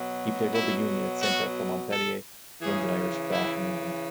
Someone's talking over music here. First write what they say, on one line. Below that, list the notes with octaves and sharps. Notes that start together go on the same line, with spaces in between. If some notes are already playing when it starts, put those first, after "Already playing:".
He played rugby union at centre for Montpellier, London Irish, Bath and England.
Already playing: B2 F#3
E4
F#4
A4
C#3 E3 G#4
E4